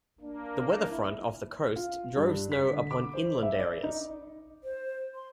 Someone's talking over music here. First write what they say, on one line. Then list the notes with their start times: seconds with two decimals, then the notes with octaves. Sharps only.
The weather front off the coast drove snow upon inland areas.
0.21 A#3 D4
0.90 E4
1.76 F4
2.16 G2
2.52 B6
2.69 D3
2.91 D6
3.13 C5
3.43 E5
3.59 D5
3.83 D#4
4.64 C5
5.15 C6